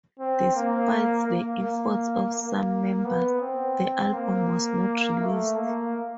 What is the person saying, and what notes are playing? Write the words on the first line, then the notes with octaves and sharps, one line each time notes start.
Despite the efforts of some members, the album was not released.
C4
A#3
A#3
A#3
A#3
B3
C4
A#3
A3
A#3